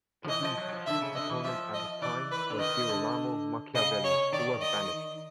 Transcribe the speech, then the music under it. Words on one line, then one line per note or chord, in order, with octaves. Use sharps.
Pitti's chief opponent at this time was Girolamo Machiavelli who was banished.
F3
E3 D#5
F3
F#3
F#3
F3
D3 E5
C#3
D3 D#5
E3
F3 E5
D#5
E3 D5
B4
D3
D#3 D#5
D3
C#3 D#5
C#5
D#3 D5
D#5